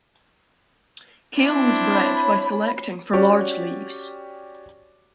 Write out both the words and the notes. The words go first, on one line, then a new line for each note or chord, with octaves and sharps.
Kale was bred by selecting for large leaves.
C4 D4 E4
C#5 B5
C#4 F#4 G4 C#5 D5